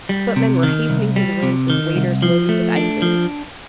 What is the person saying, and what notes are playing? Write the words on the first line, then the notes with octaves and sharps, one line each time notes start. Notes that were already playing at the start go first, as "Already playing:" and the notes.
The footmen were hastening through the rooms with waiters loaded with ices.
G3
C3
D#3
C2
G3
C3
D#3
C2
F3
A3
D4
F3